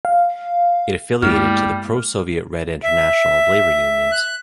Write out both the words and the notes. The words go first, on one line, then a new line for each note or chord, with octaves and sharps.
It affiliated to the pro-Soviet Red International of Labour Unions.
F5
G2 G3 G#3 A#3 B3 E4 F6
E5
F#6